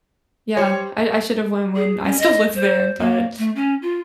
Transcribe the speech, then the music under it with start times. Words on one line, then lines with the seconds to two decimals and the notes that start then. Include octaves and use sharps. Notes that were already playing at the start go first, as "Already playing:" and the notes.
Yeah. I I should have went when I still lived there, but
0.57 G3 C5 C#5
1.76 G#4
2.04 C#4
2.19 D#5
2.56 C5
3.00 A#3
3.38 A3
3.55 C#4
3.82 F4